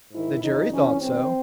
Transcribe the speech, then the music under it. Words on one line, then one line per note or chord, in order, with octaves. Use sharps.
"The jury thought so."
G#2 D#3 E4
F2 C#3 E3 D#4
F2 C3 E3 C#4
G2 D#3 C4